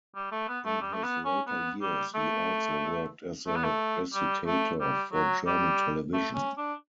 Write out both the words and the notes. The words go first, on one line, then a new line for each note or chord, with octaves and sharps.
In his later years he also worked as a recitator for German television.
G3
A3
B3
A3
G3
A3
B3
C#4
B3
G3
A3
A3
B3
A3
G3
A3
G3
F#3
G3
A3
C#4
D4